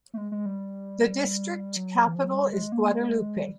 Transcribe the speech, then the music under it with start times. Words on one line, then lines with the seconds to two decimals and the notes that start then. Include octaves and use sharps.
The district capital is Guadalupe.
0.14 A3
0.18 G#3
0.32 G#3
0.46 G3
1.76 F#3
2.07 E3
2.15 F3
2.25 F#3
2.33 G3
2.53 G#3
2.72 A#3
2.91 G#3
3.40 G3